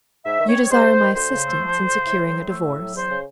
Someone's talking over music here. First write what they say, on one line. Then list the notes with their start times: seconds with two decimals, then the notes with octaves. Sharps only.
"You desire my assistance in securing a divorce?"
0.25 G#2 E5
0.40 D#3
0.48 C#5
0.55 C4
0.70 G#3 C5
0.85 G#2
1.00 D#3
1.15 D2 C5
1.30 C#3
1.45 A3
1.60 F3
1.75 D2
1.90 C#3
2.05 A2
2.20 F#3
2.35 A2
2.50 A3 E5
2.65 A2
2.80 F#3
2.95 E2 C5
3.10 C#3